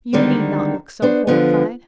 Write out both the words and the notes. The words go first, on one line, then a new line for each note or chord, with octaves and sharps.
You need not look so horrified.
D3 D#3 G3 G#3 C4
B3 D4 C5
D3 F3 B3